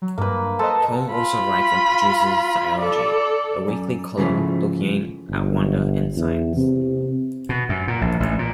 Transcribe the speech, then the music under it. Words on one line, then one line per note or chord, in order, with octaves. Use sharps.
Tong also writes and produces "Ziyology", a weekly column looking at wonder and science.
F#3
G2 A#3 B4
A4 B4 C5 D#5
F4 B5
A4 D5
F#2
G#2 C#3 E3 F3 A3
G1
E2
C3
B2
F#2
A#2
A#1
A1
A#2